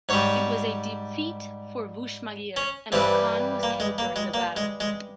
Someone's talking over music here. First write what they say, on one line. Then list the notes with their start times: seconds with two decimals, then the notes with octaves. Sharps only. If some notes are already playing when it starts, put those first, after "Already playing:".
It was a defeat for Vushmagîr and Makan was killed during the battle.
0.09 G#2 G3 C#5
2.56 C#4
2.92 G2 E3 G3 C4
3.63 A#3
3.80 G#3
3.98 A#3
4.16 G#3
4.34 A#3
4.56 G#3
4.80 G#3